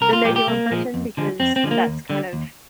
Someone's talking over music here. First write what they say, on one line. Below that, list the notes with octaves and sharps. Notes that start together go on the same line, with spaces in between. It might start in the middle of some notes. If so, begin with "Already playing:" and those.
than they do in person, because that's kind of
C2 A#4
F4
A#2 F3 G#3 G4
G4
C2 A#3
A#2 F3 G#3
F2
D3 F3 G#3
F2 C4
C4
D3 F3 G#3
A#3
D#2
D3 G3
D#2